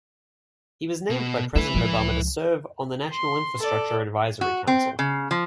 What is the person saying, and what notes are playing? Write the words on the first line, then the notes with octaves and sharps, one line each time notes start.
He was named by President Obama to serve on the National Infrastructure Advisory Council.
B2
A3 E4 B4
C#2 F3
C6
A4 D5
F#4
C4
C#3
F3